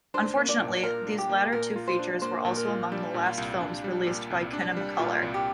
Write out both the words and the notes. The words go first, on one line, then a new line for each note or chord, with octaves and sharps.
Unfortunately, these latter two features were also among the last films released by Kinemacolor.
D4 C5
A#3
D5
A#2
F4 A#4
D4
G4
A#3
A#2 A#4
F4
C5
D4
A#3 C5
A#2
A#4
F4
G3 D4
A#2
F4
C2
D4
G3
A#2
C2
D4
G3
A#2 F4
C2
G4